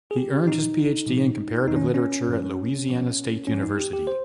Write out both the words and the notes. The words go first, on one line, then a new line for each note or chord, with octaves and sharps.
He earned his PhD in Comparative Literature at Louisiana State University.
G#4
G4
A#2 F3 D#4
A#2 F3
F2 C3 D#3 D#4
C#4
C#4
G2 F3
A#2 F3
G#2 F3 C#4
D#4
G4
G4
C5